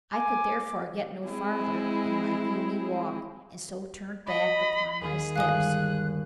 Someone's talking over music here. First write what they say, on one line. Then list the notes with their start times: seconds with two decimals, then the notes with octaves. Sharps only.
I could therefore get no farther in my gloomy walk, and so turned back upon my steps.
0.13 G#5 D6
1.27 G#3 C4 E4 G#4
4.26 D#5 B5
5.01 D#2 D#3 G#4
5.36 G1 G#3 F5 G#5 D#6 F#6